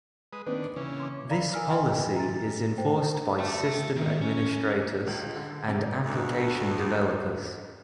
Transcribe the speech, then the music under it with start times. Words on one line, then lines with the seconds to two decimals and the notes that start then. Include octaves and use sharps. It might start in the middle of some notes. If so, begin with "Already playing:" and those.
This policy is enforced by system administrators and application developers.
0.33 G#3 B4 D#6
0.47 D#3 A#3 C4 D4 B4
0.76 C#3 E3 C#4
1.00 C6 D6
1.30 D5 F5 A#5 B5
1.53 A#4 G#5 E6 F6
1.70 D#5 E5 G5 G#5 C6 F6
2.16 A#5 A6
2.78 C5 G5
3.39 E5 A5
3.96 D#3
4.22 C#4
5.07 C#2
5.36 D3
5.68 C3
6.05 D2 G2